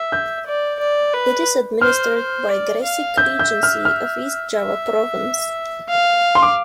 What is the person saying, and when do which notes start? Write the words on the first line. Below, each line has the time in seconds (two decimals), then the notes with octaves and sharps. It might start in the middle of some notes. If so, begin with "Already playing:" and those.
It is administered by Gresik Regency of East Java province.
Already playing: E5
0.12 G6
0.46 D5
0.80 D5
1.14 B4
1.81 C5 F6
2.16 C5
2.49 D5
2.84 F5
3.17 E5 G6
3.39 G6
3.63 F6
3.85 F6
4.53 E5
5.89 F5
6.35 C6
6.43 D6